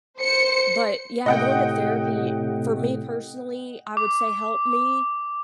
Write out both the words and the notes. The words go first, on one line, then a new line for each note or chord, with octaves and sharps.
but yeah, going to therapy, for me personally, I would say helped me,
C5 C#7
A2 C3 D#5 F#5 G5
D6